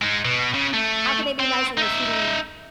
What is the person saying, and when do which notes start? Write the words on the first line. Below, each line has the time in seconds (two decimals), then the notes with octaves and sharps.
How can they be nice when they're feeding me
0.02 G#3 D#4
0.25 B2
0.54 C#3
0.74 A3
1.39 C4
1.77 D#4 E5